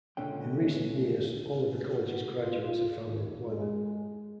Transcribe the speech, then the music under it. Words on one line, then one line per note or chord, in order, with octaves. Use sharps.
In recent years, all of the college's graduates have found employment.
C#2 A#2 D3 C#4 G5
F#4
F4
D#2
G#3